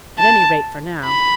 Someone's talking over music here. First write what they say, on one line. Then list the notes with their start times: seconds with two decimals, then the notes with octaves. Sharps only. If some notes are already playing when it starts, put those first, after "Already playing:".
"At any rate, for now."
0.19 A5
1.05 B5